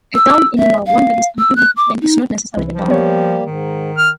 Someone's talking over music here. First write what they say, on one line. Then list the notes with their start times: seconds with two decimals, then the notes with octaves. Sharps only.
A downed animal, one that is unable to stand, is not necessarily a downer.
0.15 E6
0.58 E5
0.87 F5
1.39 E6
1.56 F#6
1.77 D6
2.01 D#4
2.57 C2 E3
2.74 F3
2.88 G3 A#3 B3 G4 C#5
3.45 G#2 D#3
3.98 F6